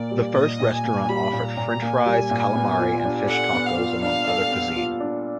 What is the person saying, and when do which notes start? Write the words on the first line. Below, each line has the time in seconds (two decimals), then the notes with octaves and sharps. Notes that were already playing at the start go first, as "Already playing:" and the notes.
The first restaurant offered French fries, calamari, and fish tacos, among other cuisine.
Already playing: A#2 A#3 D5
0.11 G3
0.35 A#2 D#5
0.60 A#2
0.72 G#5
0.84 A#3
1.09 G3 B5
1.33 A#2
1.46 A#5
1.57 A#2
1.82 A#3 G#5
2.06 G3
2.31 A#2
2.55 B3
2.80 F4
3.05 D4
3.28 A4 F#5
3.53 B3
3.65 F5
3.78 F4
4.02 D4 F5
4.27 A4
4.51 B3
4.76 F4
5.00 D4